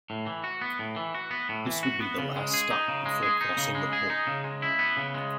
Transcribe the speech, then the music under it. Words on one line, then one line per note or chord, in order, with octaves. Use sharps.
This would be the last stop before crossing the pole.
A2
E3
F#4
B3
A2
E3
F#4
B3
A2
E3
F#4
B3
C#3
G#3
G#4
D#4
C#3
G#3
G#4
D#4
C#3
G#3
G#4
D#4
C#3
G#3
E4
B3
C#3
G#3